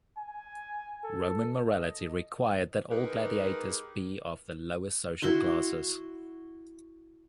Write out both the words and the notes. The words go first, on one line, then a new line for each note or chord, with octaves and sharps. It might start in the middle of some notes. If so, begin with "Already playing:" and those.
Roman morality required that all gladiators be of the lowest social classes.
G#5
A4
D#5
G#3 D#4 G4 G#4 A#4 B4
E4 F#4 B5 C6